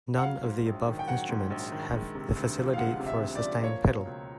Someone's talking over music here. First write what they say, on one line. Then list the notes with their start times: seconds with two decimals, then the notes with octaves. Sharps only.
None of the above instruments have the facility for a sustain pedal.
0.18 F#5
0.23 F#3 F5
0.44 G#2
0.66 A#1
0.87 D#3
0.99 G5
1.08 F#3 F#5
1.29 G#2
1.50 A#1
1.72 D#3
1.93 G#3
2.15 C3
2.36 D2
2.58 F3
2.74 F5
2.78 G#3 F#5
3.00 C3
3.07 E5
3.21 D2
3.35 D5
3.42 F3
3.63 A#3 C#5
3.85 B2
4.05 C#2